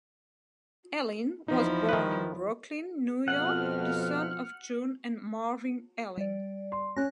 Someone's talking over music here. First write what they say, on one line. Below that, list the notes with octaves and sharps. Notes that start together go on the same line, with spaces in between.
Ellin was born in Brooklyn, New York, the son of June and Marvin Ellin.
E2 F3 D#4 E4
D#3 B4
F2 B2 F3 F#5 F6
G3 D5
C6
C#4 F#6 A#6